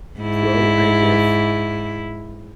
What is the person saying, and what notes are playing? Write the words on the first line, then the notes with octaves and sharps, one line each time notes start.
Pro I Div.
G#2 E4